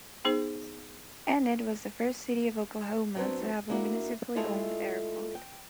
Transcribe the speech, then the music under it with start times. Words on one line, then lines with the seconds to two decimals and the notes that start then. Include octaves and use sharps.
Enid was the first city of Oklahoma to have a municipally owned airport.
0.25 B3 D#4 G#4 C5
3.16 F#3 G#3 B3 C4 D4
3.70 A#3 D4 E4 F#4 A4 A#4
4.36 G#3 A3 E4 F4 A4 D#5
5.35 G5